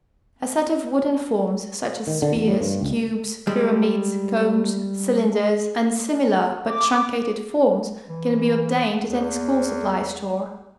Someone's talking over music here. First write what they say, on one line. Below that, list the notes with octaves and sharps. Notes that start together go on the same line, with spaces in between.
A set of wooden forms, such as spheres, cubes, pyramids, cones, cylinders, and similar, but truncated, forms, can be obtained at any school supply store.
D#3
D3
E2
G3
G2
C#2
G3 G#3
D6
E3
E2